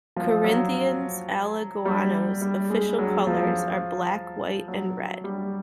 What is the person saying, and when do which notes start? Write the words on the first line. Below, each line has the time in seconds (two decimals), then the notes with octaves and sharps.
Corinthians Alagoano's official colors are black, white and red.
0.16 F3
0.44 F#3
1.85 G3
2.42 G3
2.70 G#3
2.98 F#3
3.27 F3
4.68 F#3
5.24 G3